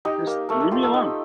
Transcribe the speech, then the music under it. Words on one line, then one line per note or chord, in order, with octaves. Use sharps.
Just leave me alone.
D#4 G4
A#3
A3 A#4
A4
F4 G4
A4
D#4 G5